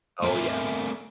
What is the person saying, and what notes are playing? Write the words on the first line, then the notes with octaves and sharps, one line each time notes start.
Oh, yes.
A3 C4 A#4 E5 G#5